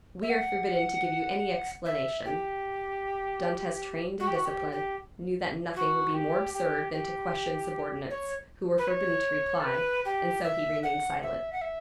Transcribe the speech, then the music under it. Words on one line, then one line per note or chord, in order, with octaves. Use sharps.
"We are forbidden to give you any explanation." Dantes, trained in discipline, knew that nothing would be more absurd than to question subordinates, who were forbidden to reply; and so he remained silent.
E5
F#5
E5
G4
F#4
G4
F#4
G4
G4
F#4
G4
G4
G4
C#5
B4
C#5
A4
B4
G4
E5
F#5
E5
F#5
E5